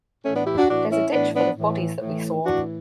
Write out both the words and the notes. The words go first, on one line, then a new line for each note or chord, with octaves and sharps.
There's a ditch full of bodies that we saw.
A2 E3 A3 C#4
B3 D4
E4 G4
D4 F#4
A2 E3 D4 F#4
C#4 E4
A2 E3 B3 D4
B3 D4
A2 E3
A2 E3
A2 E3 D4 F#4